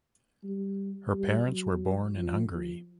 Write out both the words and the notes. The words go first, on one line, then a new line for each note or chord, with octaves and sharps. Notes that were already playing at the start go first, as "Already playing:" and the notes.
Her parents were born in Hungary.
G3
G3
F#3
F3
F3